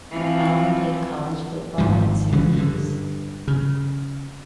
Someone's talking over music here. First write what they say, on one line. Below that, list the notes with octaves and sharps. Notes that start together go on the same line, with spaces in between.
Allen played college football at Syracuse.
E3 F3 C4
G#1 G#2 D#3 F3
C#3 E3 F3 G#3
G2 D3
C#3